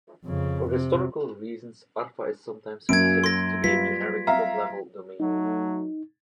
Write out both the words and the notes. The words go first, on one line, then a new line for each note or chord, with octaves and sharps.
For historical reasons, arpa is sometimes considered to be a generic top-level domain.
F2 C#3
C3
F#2 F#3 A#3 C#4 G#6 D7
C6 A#6
G3 F4 B4 B6
E5 F5 A#5
F#3 A3 D#4